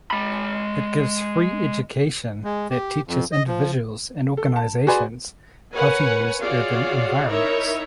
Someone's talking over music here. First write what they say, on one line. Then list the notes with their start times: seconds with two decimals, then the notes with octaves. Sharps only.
It gives free education that teaches individuals and organizations how to use urban environments.
0.11 G#3 B5
2.44 G#3
2.70 G4
3.08 F2
3.32 D#5
3.48 F3
4.37 A4
4.56 A5
4.87 F#4 G#4 B4 D5 G#5 C6
5.72 A#4 B4 C#5 F#5 G#5
6.42 F4 F#4 G#4 C#5 D5 F5
7.27 D#4 E4 A#4 C#5 E5